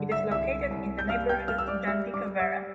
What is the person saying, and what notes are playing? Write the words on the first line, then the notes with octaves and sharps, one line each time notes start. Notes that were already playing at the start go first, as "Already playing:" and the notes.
It is located in the neighborhood Jacinto Vera.
Already playing: G2 D3
E5 E6
C2 E5 E6
C2
G6
G3 F5 F6
G5 G6
G3 F5 F6
E6
D5 D6
G3 E5 E6
D5 D6
G3
E5 E6